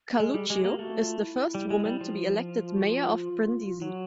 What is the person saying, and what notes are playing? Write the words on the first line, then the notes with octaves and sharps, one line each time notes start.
Carluccio is the first woman to be elected Mayor of Brindisi.
G4
G#3 G#4
G3
G#3 G4
A#3
A3 F#4
F4
E4
G3
G#3
G3
F3
F4
F#4
F4
F#3 F#4